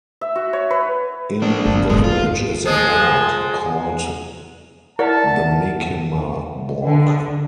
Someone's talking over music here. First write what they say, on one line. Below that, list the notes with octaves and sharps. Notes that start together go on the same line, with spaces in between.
In the village is a "borg" called the Menkemaborg.
E5
F#4
C#5
B4
A#3 D4
F#1
G#1 G#3 B3
F2 F4
F3 G#3
E4 A#4 D5 E5 F#5 A5
D3